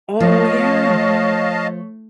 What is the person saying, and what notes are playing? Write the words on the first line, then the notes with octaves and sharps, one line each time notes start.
Oh yeah.
F3 A3 C#5 D#5 F5 A5